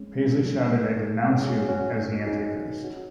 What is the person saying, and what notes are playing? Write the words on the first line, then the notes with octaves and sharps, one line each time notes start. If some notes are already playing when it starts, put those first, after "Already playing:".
Paisley shouted I denounce you as the Antichrist!
Already playing: G#3 C#4
F#3
G#3
B3
G#3 C#4
G#4
C#4 F#4
C#4 F#4
D#4 G#4
C#4 F#4